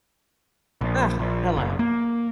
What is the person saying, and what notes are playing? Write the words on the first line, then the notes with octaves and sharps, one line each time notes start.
Ugh. Hello.
A#1
A#1
F#1
A#3